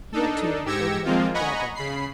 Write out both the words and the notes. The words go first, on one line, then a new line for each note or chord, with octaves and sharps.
Here, too, old men had gathered.
D4 D#4 A4
G#2 G4 E6 G#6 A#6 C#7
F3 G#3 A#3 C4 F4
D#5 F#5 G#5 A#5 B5 C#6
C#3 B5 C7